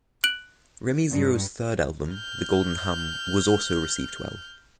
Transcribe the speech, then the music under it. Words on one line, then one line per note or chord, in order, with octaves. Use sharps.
Remy Zero's third album "The Golden Hum" was also received well.
F#6 D7 F#7
G2
F6 G6